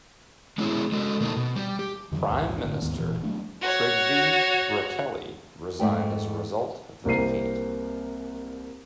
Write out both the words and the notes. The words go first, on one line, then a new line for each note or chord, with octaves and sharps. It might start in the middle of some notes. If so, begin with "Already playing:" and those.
Prime Minister Trygve Bratteli resigned as a result of the defeat.
G#3 B3 C#4 E4 G#4
G#3 F#4 A4
B2 A#3 D#4 A4
B2
G3
G4
F2 D3 D#3 F#3
A#1 D#2 G#2 C#3
G1 A2 D3
D#2 G#2 D#3 B3
E1 E2 A#2 E3
F#3 G3 A3 D4
F#4 C#5
G#2 A3 G5
C2 A#3 C4 A#4 C7 D#7